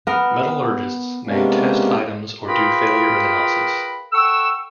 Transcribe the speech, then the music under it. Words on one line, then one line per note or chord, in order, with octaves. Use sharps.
Metallurgists may test items or do failure analysis.
B3 A#4
C3 G#3 A#3 B3 C#4 D4
F4 G#4 A#4 B4 G5 B5
A4 F#5 G5 C#6 E6